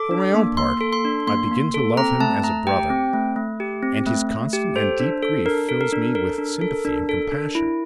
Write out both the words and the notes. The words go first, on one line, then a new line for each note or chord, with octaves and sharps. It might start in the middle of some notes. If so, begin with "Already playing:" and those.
For my own part, I begin to love him as a brother, and his constant and deep grief fills me with sympathy and compassion.
Already playing: A4 D6
D4
A#3
A#3 C6
A4
C6
D4
A#3 C6
A#3
A4
C4 A#5
A3 A5
A3 A#5
G4 G5
C4
A3
A3
G4
C4
A3
A3
G4
A4 C5
D4
A4
D4 A#4
A4
A#4
D4
A4 A#4
D4
A4
D4
A4
D4
E4